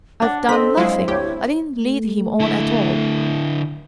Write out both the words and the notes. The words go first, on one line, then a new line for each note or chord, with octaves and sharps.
I have done nothing, I didn't lead him on at all.
D4 F#5
C4 A4 D#5 B6
F#3 G#3 E4 F5
G1 D2 G4 C#5
A3
D3 E4